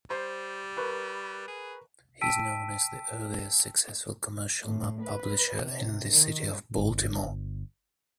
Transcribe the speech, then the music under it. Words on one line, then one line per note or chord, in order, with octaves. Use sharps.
He is known as the earliest successful commercial map-publisher in the city of Baltimore.
G3 C5
A#4 B4 C#6
G#4
G5 A5 E6 B6 D7 D#7
A2
B4
C3
D#3
G1